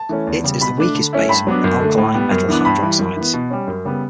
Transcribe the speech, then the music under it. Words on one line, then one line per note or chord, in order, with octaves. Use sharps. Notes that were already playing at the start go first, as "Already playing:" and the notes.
It is the weakest base among the alkali metal hydroxides.
Already playing: A5
E3 A3 C#4
E2
C#3 G3
B2 B5
A3 D4
D3
A3 C#4 E4
G2 B5
F#3 B3 D4
F#2
D3 A3
A2
G3 B3
F#2
E3 B3 D4
G2 B5
E3 G3
F#2
E3 B3
B2
G3 C#4
F#2
C#3 G3 B3